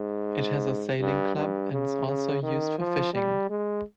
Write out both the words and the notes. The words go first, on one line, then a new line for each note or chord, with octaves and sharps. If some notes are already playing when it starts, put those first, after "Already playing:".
It has a sailing club and is also used for fishing.
Already playing: G#2
G2
G2
C#3
C#3
D#3
F3
G3
G#3